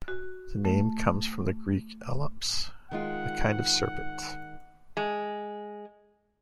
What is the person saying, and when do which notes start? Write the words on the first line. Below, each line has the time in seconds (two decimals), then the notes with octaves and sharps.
The name comes from the Greek "ellops" - a kind of serpent.
0.08 F#4
0.65 A3
2.91 D#3 G#3 F4 F#5
4.97 G#3